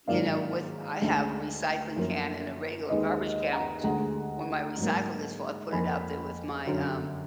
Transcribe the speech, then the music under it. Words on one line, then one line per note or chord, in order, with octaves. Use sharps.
you know, with I have a recycling can and a regular garbage can, which it when my recycle gets full, I put it out there with my, um
G#2 D#3 F#3 A#3 D5 F5
D2 D3 G#3
F#2 F3 A#3
D#2 D#3 G#3 B4 D#5
F#5 A#5
D2 D3 G#3 F#5 A#5
G#2 F#3 A#3
F2 F3 A#3 G#5 B5
F#2 D3 F#3